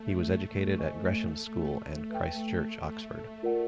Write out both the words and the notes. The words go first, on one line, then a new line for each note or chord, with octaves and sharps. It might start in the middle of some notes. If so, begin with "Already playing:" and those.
He was educated at Gresham's School and Christ Church, Oxford.
Already playing: A3
A3 C5 D#5 G#5 C#6
A3 B4 E5 G5
F4 A#4 D5 F#5